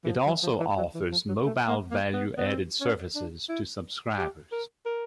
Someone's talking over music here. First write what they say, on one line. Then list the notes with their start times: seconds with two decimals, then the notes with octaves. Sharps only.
It also offers Mobile Value Added Services to subscribers.
0.04 E3
0.09 F3
0.26 F#3
0.43 F3
0.60 E3
0.77 F#3
0.94 E3
1.11 F3
1.28 F#3
1.45 A3
1.68 A#3
1.91 A#3
2.13 B3
2.37 B3
2.47 C4
2.81 C#4
3.15 D4
3.49 E4
4.18 G4
4.52 A#4
4.86 A#4